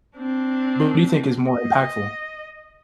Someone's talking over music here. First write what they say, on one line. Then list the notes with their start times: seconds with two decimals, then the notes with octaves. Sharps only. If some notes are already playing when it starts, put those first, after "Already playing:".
What do you think is more impactful?
0.17 C4 D4
1.51 D#5